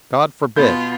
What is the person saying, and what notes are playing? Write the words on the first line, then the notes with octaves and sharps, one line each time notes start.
God forbid.
B2 B3 F4 B5 G6